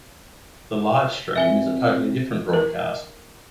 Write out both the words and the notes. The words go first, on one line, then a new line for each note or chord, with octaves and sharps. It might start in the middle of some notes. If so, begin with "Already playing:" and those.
The live stream is a totally different broadcast.
C4 E5 G#5 G7
A#4